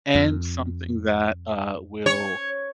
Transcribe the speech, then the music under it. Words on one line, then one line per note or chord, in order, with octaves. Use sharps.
and something that, uh, will
F2
C#5